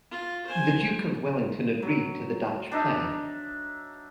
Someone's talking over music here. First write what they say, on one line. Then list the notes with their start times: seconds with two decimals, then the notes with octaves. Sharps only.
The Duke of Wellington agreed to the Dutch plan.
0.11 F4
0.46 C5 G#5
1.82 F#3
2.72 D4 D#4 E5